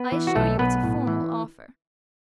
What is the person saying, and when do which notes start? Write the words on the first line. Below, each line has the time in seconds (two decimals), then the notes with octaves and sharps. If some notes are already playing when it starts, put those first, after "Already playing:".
"I assure you it's a formal offer."
Already playing: B3 B4
0.12 E3
0.27 F#4
0.35 B1 A3 A4
0.59 B1 B3 B4
0.84 A2
1.07 E3